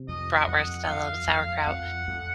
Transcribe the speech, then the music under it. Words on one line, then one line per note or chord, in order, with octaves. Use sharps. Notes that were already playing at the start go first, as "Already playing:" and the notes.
bratwurst. I love sauerkraut.
Already playing: C3
F2 D#5
F2 F#5
D#5
F2 F5
F2
F2 F#5
F2